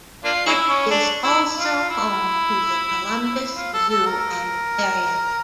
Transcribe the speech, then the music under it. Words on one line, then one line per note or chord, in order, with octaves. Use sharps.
It is also home to the Columbus Zoo and Aquarium.
A#3 D4 F4
G#3 C#4 E4
C#4
D4
E4
F4
E4
F4
A4
A4
A#4